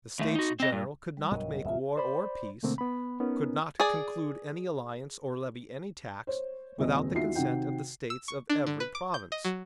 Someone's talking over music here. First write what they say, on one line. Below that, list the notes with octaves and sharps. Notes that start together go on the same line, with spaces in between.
The States General could not make war or peace, could not conclude any alliance or levy any tax, without the consent of the States of every province.
D#2 A3
D#4 F#4
C4 D#5
G2
F#3 G3
B1 G2 F#3 A#4 D#5
D#1 C2 G2 F4 E5
C5 D5 B5
B2 D3 A3 A#3 C4
B3 B5
B3 C#4 D#4 A#4
G#4 D5
C5 C#5
D#1 G#1 C#2 C4 D#5
E2 D#3 F4 F#4 E5 C7
C3 D#3 F#4 F#5 G5
E6
C#6
D4
D3
B4
D6
G6
D#5
F#3